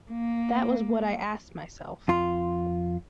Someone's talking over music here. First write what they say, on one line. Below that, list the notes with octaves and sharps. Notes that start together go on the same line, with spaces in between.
That was what I asked myself.
A#3
F2 F4 C6